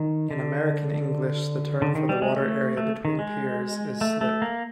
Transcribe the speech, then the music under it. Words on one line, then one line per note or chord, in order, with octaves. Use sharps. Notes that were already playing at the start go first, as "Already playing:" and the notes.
In American English, the term for the water area between piers is "slip".
Already playing: D#3
D3
D3
D#3
G3
G#3
A3
A3
D#3
G#3
A3
A3
A#3